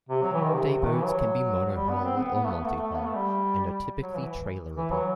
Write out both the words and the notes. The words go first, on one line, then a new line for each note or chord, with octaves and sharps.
Dayboats can be monohull or multihull, and are typically trailer-able.
C3
F#3
E3
D#3
C3
D#3
E3
F#3
G3
B3
C4
B3
B3
A3
B3
A3
A3
B3
A3
G3
F#3
E3
E3
F#3